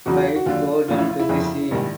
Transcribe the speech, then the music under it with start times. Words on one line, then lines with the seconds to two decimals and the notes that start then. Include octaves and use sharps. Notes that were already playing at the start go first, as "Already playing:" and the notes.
Five Go Down to the Sea?
0.06 E2 C#3 F#3 F#4
0.16 F4
0.36 F#4
0.46 D#2 D3 F#3 F4
0.88 A1 A2 F3 F4
0.99 E4
1.09 F4
1.20 E4
1.29 G1 F2 C#3
1.71 A#1 G#2 D#3 G3